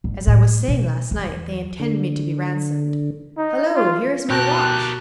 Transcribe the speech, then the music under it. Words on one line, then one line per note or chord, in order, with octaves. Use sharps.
As I was saying last night, they intend me to be ransomed. Hallo, here is my watch!
G#1
A2
B2
E2
D3
D#4
F4
B2 G4 A#4 A5 F#6